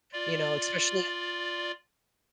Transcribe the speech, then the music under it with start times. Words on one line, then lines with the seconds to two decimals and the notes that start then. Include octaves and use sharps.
you know, especially at
0.13 F4 D5